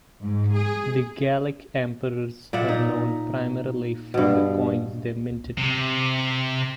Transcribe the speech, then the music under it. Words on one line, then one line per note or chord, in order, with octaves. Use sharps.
The Gallic Emperors are known primarily from the coins they minted.
G#2
G#4
A#2 D5 E5 F#5
D#4
G2 B2
C3